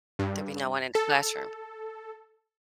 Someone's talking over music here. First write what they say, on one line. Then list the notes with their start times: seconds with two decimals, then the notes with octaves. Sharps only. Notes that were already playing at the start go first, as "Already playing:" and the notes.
there'll be no one in the classroom.
0.19 G2
0.95 A4